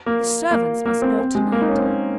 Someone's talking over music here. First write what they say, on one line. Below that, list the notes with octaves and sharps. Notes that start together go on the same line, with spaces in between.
The servants must know to-night.
A#3
A#3
A#3
C4
C4
G#3
A#3
D#4
C#4
C4
C#4